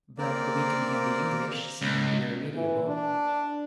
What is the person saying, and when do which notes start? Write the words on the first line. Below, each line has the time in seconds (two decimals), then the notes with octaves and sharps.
But the weakening of the English seemed irremediable.
0.18 A#3 C4 A#4 D5
1.81 C#2
2.55 E3
2.88 D4